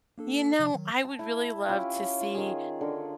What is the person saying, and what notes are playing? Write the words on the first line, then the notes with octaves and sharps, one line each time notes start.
You know, I would really love to see
A#3 D4 A4
C3 F3
D#3 F#3
A5
E4
C#4 E4 F4 G4
F4
D#3 G#4
D3 A#4